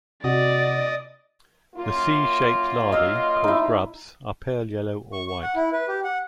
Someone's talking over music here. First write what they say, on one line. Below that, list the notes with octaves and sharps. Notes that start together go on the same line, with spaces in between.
The C-shaped larvae, called grubs, are pale yellow or white.
C3 F#4 D5 D#5
F#2 A#3 F4
D#5 F5 E6
D#4 E4
C#6
C#6
F#5
E4
B4
G4
F#5